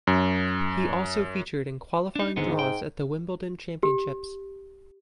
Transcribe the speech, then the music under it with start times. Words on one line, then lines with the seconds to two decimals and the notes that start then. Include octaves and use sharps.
He also featured in qualifying draws at the Wimbledon Championships.
0.07 F#2
2.16 D4 D#4
2.36 D#2 G#2 D3 B3
2.59 G5
3.83 G4